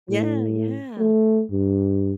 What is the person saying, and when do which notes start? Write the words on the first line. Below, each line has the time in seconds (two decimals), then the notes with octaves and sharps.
yeah. Yeah,
0.10 A2
0.99 A3
1.51 G2